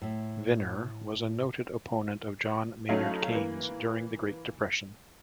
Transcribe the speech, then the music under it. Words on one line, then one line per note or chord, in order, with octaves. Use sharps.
Viner was a noted opponent of John Maynard Keynes during the Great Depression.
A2 E5
F#3 A3 C#4 D#4 E4 F5
E3 A#3